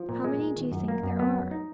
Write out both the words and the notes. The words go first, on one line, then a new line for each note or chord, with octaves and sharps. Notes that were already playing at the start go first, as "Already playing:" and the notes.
How many do you think there are?
Already playing: F3
A#2
G#3
A#2
D#3
F#2
A#3
F#2
B3
F#3
D#4